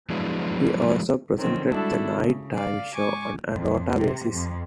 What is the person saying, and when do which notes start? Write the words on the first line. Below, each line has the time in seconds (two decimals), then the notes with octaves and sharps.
He also presented the night-time show on a rota basis.
0.10 F3 F#3 G#3 B3 D4 E4
1.36 D3 D#3 F3 F#3 C4 C#4
1.68 G3 G#3 D4 E4 F#4 A4
2.12 C#3
2.55 D5 F5
2.95 G#2 G#5 C#6 D6
3.53 F2
3.97 C3
4.32 F2